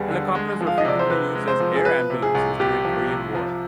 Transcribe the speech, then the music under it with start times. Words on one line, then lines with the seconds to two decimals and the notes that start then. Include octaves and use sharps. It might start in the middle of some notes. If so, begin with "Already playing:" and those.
Helicopters were frequently used as "air ambulances" during Korean War.
Already playing: D#2 D3 G3 B3 G#4
0.10 D3
0.35 G#3
0.61 F3
0.67 F5
0.78 D#5
0.85 C3 D5
0.99 C5
1.10 C3 B4
1.35 G#3
1.48 C5
1.60 F3
1.75 G#4
1.85 F3 B4
2.10 C3
2.22 G#4
2.35 C2
2.59 C2 G4
2.85 F3
3.10 C3
3.35 F3